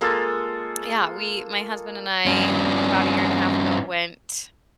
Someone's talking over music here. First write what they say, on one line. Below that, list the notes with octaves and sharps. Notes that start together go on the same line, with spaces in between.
Yeah, we my husband and I, about a year and a half ago, went
G#3 A#3 F4 A4
G2 C#4